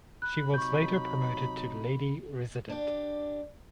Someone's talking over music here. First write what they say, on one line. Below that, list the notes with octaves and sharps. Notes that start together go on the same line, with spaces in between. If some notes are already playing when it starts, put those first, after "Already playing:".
She was later promoted to Lady Resident.
B5 F#6
C3 F#3 D#4 C#6 G6
D4 G4